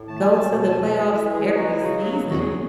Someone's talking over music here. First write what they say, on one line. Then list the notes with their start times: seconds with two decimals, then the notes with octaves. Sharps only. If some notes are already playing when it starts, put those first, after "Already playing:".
go to the playoffs every season.
Already playing: A2
0.08 A3 A5
0.21 G#5
0.30 F#3 A5
0.50 B2
0.64 A5
0.71 E2 G#5
0.86 A5
0.92 G#3
0.99 G#5
1.13 E3 E5
1.34 E3 G#4
1.55 D#4 F#4
1.69 E4
1.76 C#3
1.82 F#4
1.97 F#3
2.18 A2
2.31 F#4
2.39 E2 G#4